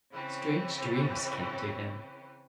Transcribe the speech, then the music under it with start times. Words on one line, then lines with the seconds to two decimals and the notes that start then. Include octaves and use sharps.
Strange dreams came to him.
0.12 C#3 E3 C4 C#4